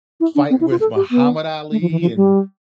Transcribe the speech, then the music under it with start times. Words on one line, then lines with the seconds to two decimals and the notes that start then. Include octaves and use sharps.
fight with Muhammad Ali and
0.20 E4
0.35 D4
0.50 C4
0.61 E4
0.71 F4
0.80 A4
0.96 G4
1.11 B3
1.71 A3
1.81 F3
1.91 E3
2.01 F3
2.16 G3